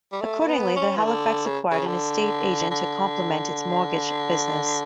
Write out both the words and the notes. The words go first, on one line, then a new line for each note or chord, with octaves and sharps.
Accordingly, the Halifax acquired an estate agent to complement its mortgage business.
G3
A3
A3
B3
C#4
E3
D3
C#3
C#3
D3
D3